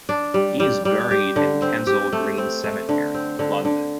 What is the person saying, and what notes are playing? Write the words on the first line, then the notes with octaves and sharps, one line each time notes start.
He is buried in Kensal Green Cemetery, London.
D4
G3
G3
G3
G4
D3
C4
G4
A3
C4
A3
D3
C4
D3
D3